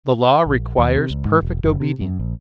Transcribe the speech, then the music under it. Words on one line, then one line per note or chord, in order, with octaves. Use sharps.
The Law requires perfect obedience.
A#1
D#2
C3
C#2
G#2
E1
F#1
C3
F#2
A#1